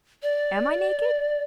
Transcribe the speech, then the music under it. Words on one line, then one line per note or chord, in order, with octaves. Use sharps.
'Am I naked?
D5